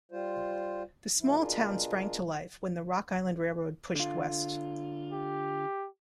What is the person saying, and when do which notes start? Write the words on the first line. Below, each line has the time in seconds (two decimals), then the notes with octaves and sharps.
The small town sprang to life when the Rock Island Railroad pushed west.
0.12 G3 F4 C5
1.20 A2 F3 E4
1.39 B2 D4 F4 G#4 A#4
3.95 D3 F4
5.12 G4